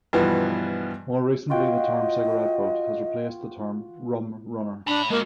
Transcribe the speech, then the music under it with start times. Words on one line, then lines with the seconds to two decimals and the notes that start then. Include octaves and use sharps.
More recently the term "cigarette boat" has replaced the term "rum-runner".
0.13 G2 B2 E3 F3 B3
1.50 F4 F#4 D#5 G5
4.87 D4 A5 B5
5.10 G#3 A#3 F#4